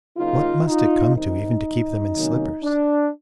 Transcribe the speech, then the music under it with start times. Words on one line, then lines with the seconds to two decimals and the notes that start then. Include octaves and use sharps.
What must it come to even to keep them in slippers.
0.17 C#3 F#3 A#3 D#4 F4
0.66 D#4 F4
1.16 D#3 G3 C4 D#4
2.14 C3 D#3 F#3 A#3 C#4
2.63 D4